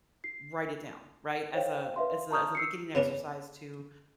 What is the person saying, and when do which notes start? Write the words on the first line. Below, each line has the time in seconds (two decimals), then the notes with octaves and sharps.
Write it down," right? As a as a as a beginning exercise to
0.24 C7
1.54 C5 C#5 F5 G5
1.96 B4 E5 F5 C6
2.31 A5 A#5 C#6 D#6 F6 G6
2.55 E6 C7 C#7
2.95 C#3 B3 C#4 D4